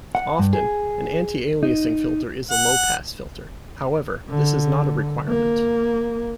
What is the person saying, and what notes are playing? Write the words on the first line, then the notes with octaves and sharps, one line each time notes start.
Often, an anti-aliasing filter is a low-pass filter; however, this is not a requirement.
F#5
G2
G#4
D#4
F#5
D3
A#3